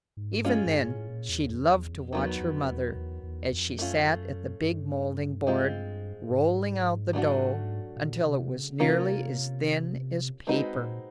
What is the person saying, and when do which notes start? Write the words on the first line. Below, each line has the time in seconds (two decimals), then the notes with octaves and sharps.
Even then she loved to watch her mother as she sat at the big moulding-board, rolling out the dough until it was nearly as thin as paper.
0.17 G#2
0.44 G2 G#3 C#4 F4 G#4
0.66 G2
0.87 A2
1.08 A#2
1.29 E2
1.50 F2
1.70 E2
1.91 F2
2.12 E2 D#3 F#3 B3
2.40 F2
2.68 E2
2.95 E2
3.23 E2
3.52 F2
3.79 F#2 A3 C#4 F4
4.62 G2
5.47 G#3 C4 F4
6.30 G#2
7.13 F#3 A3 D4 F#4
7.96 A#2
8.25 C3
8.53 C#3
8.80 C3 A#3 C#4 F4 A#4
10.47 G#3 C4 D#4 F#4 B4
10.76 A#2